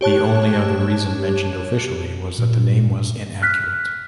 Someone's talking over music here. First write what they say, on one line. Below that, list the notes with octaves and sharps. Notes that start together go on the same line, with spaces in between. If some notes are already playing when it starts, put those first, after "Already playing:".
The only other reason mentioned officially was that the name was "inaccurate".
G4 C#5 A5 F#6
A#2
F6 F#6 B6